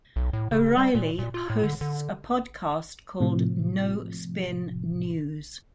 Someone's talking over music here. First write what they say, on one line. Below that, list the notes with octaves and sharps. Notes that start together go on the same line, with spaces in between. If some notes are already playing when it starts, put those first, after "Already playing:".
O'Reilly hosts a podcast called "No Spin News".
B1
A2
C#3
G3
A#2
A#2
F4
A2
D3
D3
A2 C3 F3